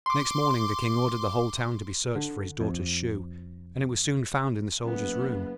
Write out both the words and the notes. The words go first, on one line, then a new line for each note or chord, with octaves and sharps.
Next morning the King ordered the whole town to be searched for his Daughter's shoe, and it was soon found in the Soldier's room.
C6 D6
D3
F2
F#1 B3